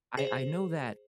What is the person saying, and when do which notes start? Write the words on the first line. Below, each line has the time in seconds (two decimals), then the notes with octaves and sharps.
I I know that,
0.17 G#4 C5